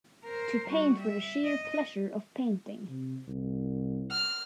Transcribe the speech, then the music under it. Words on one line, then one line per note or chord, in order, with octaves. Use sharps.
To paint for the sheer pleasure of painting.
A#4 C5
G3 F#4
E5
D#5
C3
C2
F6